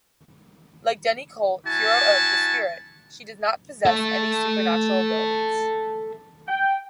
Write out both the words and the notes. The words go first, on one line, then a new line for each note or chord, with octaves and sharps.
Like Denny Colt, hero of "The Spirit", she does not possess any supernatural abilities.
E4 F#4 G#5 A5
A4 E5
G5